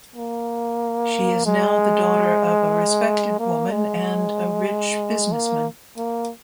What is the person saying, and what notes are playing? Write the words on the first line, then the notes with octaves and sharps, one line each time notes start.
She is now the daughter of a respected woman and a rich businessman.
A#3
G#3
A#3
G#3
A#3
A#3